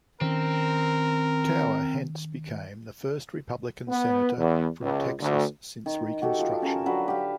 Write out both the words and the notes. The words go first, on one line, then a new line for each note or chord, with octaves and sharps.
Tower hence became the first Republican senator from Texas since Reconstruction.
D#3 C4 C#4 A#4
B3
E2
C#2
D2
D#3
F#4 G4 A4
F3 D6
C#4 A#4 A5
D3 F#3 B4
G4 F5